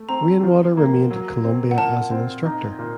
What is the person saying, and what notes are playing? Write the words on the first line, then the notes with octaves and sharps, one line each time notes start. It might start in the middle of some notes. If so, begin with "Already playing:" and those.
Rainwater remained at Columbia as an instructor.
Already playing: A3
C4 A#5
F3
A#3
F#3
C4
F#5
A#2 A5
C4
D#4
A#2